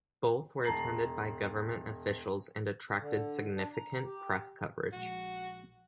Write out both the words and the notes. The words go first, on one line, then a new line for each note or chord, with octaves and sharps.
Both were attended by government officials, and attracted significant press coverage.
E1 A5 A#5 C7 F#7
D3
D4
A#5
G4
A#1 G#3 F#4